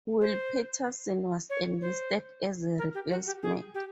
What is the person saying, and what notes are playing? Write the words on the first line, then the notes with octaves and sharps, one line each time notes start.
Will Patterson was enlisted as a replacement.
C5
C#5
C5
A#4
G4
F#4
G4
G#4
G4